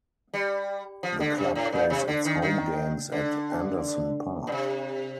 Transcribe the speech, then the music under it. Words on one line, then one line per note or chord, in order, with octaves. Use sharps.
The club plays its home games at Anderson Park.
G3
F3
D3
C3
A2
A#2
C3
D3
D#3
D#3
D3
A#2
C3